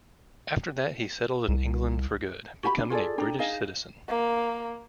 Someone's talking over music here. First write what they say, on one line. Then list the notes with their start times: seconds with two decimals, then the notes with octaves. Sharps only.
After that he settled in England for good, becoming a British citizen.
1.48 C2
2.63 F#4 G4 G#5 B5
2.77 D4
2.90 F4 G#4 A4 D5
3.18 D4 A4 G5 A#5
3.39 D#4 G#4 D#5 F5
4.08 A#3